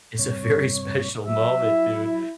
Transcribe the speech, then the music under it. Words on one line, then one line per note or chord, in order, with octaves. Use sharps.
It's a very special moment, dude.
G2 C3 C#5
F#3 E5
E4